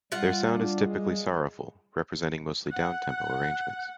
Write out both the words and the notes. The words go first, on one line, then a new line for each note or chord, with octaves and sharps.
Their sound is typically sorrowful, representing mostly down-tempo arrangements.
G3 F4 F#5
D4
G#3
F#5 F#6